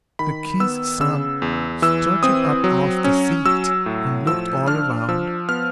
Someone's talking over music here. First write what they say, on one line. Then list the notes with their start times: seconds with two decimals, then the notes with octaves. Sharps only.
The King's son started up off the seat and looked all around.
0.19 D#3 B5
0.60 B3 E6
1.00 C#3 E6
1.42 E2
1.82 E3 E6
2.23 C4 D#6
2.64 F#3
3.04 C#4
3.45 F#3 E6
3.86 A2
4.27 F3 E6
4.67 D4 F6
5.08 F3 E6
5.49 B3 F6